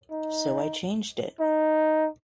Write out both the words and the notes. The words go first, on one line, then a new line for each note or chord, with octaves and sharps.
So I changed it.
D#4
D#4